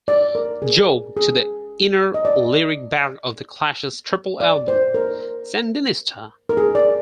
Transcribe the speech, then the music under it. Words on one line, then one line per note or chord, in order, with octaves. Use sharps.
Joe" to the inner lyric bag of the Clash's triple album "Sandinista!
D5
A#4
G#4
G#4
D#5
D5
D5
C5
A#4
A#4
G#4
D5